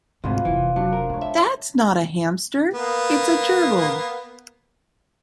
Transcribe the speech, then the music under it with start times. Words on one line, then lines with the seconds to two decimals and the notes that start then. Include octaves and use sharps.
That's not a hamster, it's a gerbil.
0.24 D2 G#2 C3 F3 F4 B4 C5
0.45 F1 C#3 E3
0.76 F#3 D4
0.93 A#4
1.10 G3 G#3 C#5 A5
1.22 E5
2.74 A#3 B3